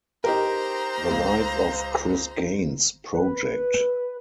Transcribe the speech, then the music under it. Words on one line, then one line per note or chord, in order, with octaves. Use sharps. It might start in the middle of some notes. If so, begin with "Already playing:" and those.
The Life of Chris Gaines project.
D#4 G4 A#4 C5 A#5
C#2
B4